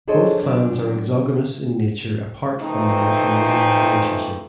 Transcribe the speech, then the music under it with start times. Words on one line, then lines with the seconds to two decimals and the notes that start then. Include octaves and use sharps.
Both clans are exogamous in nature apart from the matrimonial relationship.
0.08 D4 G#4 A4 C5 C#5 D#5
0.44 F#3 C4 D4
2.61 F2 E3 A3 C4 D#4